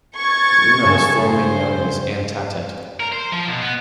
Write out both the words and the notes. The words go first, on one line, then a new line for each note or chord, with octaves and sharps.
Luna was formerly known as Antatet.
C#6 G#6 A6
G2 C#3
C5
A#4
C5
F3
B2
B3